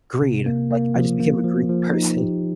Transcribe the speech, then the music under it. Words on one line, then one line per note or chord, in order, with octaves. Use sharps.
greed, like, I just became a greedy person,
C3
A#3
A#3
F3
A#3
F3
F3
D#4
G4